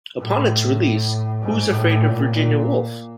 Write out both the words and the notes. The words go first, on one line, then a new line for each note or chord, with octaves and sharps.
Upon its release, Who's Afraid of Virginia Woolf?
A2
G#2
A2
A#2
A#2